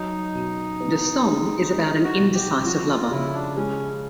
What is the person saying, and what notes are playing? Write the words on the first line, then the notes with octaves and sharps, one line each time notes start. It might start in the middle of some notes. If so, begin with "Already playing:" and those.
The song is about an indecisive lover.
Already playing: F#3 D#4
B2
B3
G#3
G#3
F#4
B2
G4
F3 F#4
F4
C#3 E4
D4
G#3 C#4